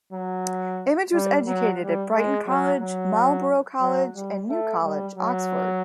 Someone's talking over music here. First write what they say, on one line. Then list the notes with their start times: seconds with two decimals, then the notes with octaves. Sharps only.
Image was educated at Brighton College, Marlborough College and New College, Oxford.
0.13 F#3
1.14 G3
1.47 F#3
1.81 G3
2.15 G#3
2.48 F#3
2.81 F#3
3.81 F#3
4.15 G3
4.49 A3
4.83 G3
5.15 F#3